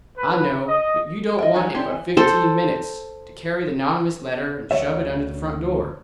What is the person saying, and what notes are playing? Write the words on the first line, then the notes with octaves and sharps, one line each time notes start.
"I know; but you don't want it but fifteen minutes, to carry the nonnamous letter and shove it under the front door."
B4
D#5
D#5 E5 G5
E3 G3 D#4 C#5
C4 D4 E4 G4 C#5
E3
A4 C5
D2 C#5 E5